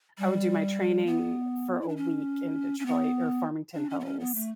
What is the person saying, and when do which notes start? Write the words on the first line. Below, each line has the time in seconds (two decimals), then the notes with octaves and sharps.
I would do my training for a week in Detroit or Farmington Hills.
0.18 G3
1.06 B3
1.81 E4
1.88 D4
1.96 C#4
2.79 C#4
2.86 B3
3.75 D4
3.90 C#4
4.00 B3
4.05 C#4
4.20 B3
4.35 A3